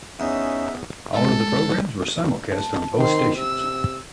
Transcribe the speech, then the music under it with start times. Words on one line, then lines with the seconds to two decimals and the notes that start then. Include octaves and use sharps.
All other programmes were simulcast on both stations.
0.20 E2 C#4 D#4 E5
1.13 G#3 A4
2.52 A5
2.98 D#3 C4 C6
3.37 C3 E6